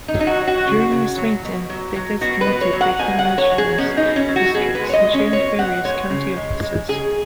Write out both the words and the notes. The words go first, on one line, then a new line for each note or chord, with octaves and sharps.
During this meeting, they designated the commissioners districts and changed various county officers.
D#4
F#3
D#4
F#4
F#3
F#4
C#3
C#3
F#3
B2
F#3
F#3
B2 F#4
B4
B2
C#5
F#3
F#5
B2 G#5
F#5
F#3
C#5
F#3
G#4
B2 C#4
D#4
B2
C#4
F#3
F#4
B2 G#4
B4
G#3
C#5
D#5
G#3
C#4
B2 C#5
B2 F#5
G#3 C#5
C#3
G#3
G#3
C#3 G#4